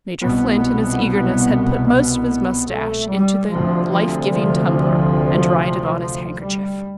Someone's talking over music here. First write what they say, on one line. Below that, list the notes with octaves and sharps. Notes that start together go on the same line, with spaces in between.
Major Flint in his eagerness had put most of his moustache into the life-giving tumbler, and dried it on his handkerchief.
C2 B2 B3
B3
A3
G3
D2 C3 F3
F3
F3
F3
G3